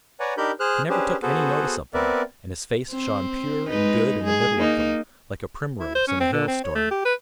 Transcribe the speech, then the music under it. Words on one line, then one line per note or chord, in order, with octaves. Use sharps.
He never took any notice of them, and his face shone pure and good in the middle of them, like a primrose in a hailstorm.
B4 C#5 D5 F#5 G#5 A#5
D4 D#4 G4 A#4 B5 G6
G#4 C5 F6 F#6
C#4 D4 G4 G#4 B4 C5
B3 F#4 G#4 A4 B4 C5
B3 C4 A#4 B4 D5 E5
C4
G#3 D#4 B4
G#3 G#4
A#3 D#4
E4
C5
C#4
C4
D3
C4
C#5
A3
G4
B4